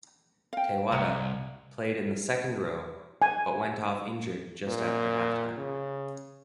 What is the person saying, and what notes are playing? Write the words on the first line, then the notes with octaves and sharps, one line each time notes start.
Te Whata played in the second row but went off injured just after halftime.
F5 G5
C2 F#5 A#5
G#5
A#2
C#3